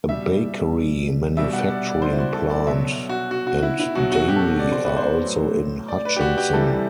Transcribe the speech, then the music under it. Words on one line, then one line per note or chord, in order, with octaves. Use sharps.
A bakery manufacturing plant and dairy are also in Hutchinson.
B2 G3 E5
B2 G3 E5
F#5
D5
D5
C5
E4
F#4
A4
D5
B2 F#3 E5
F#4
F#4
F#4
E4
E4
B2 F#3 F#4
F#4
G4
A4
G4
D5
C5
B4
C5
A2 F#3
D5
B4
G4
F#4
G4
C3 E3 G3 A4